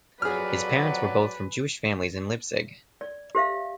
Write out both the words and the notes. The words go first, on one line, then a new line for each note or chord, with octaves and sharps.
His parents were both from Jewish families in Leipzig.
F2 F#3 G#4 B4 D5 F6
D5
G4 C5 E5 F5